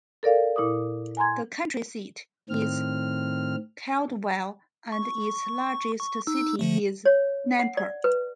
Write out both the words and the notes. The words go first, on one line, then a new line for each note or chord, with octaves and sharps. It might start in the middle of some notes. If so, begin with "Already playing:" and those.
The county seat is Caldwell, and its largest city is Nampa.
A4 A#4 D5 F5
A#2 E4 D6 D#6
G#5 A#5 C6 G#6
A2 D#3 C4 F6
C#6
C#6
D#4 E6
D3 F3 A3
C#5
F#5
D5
B4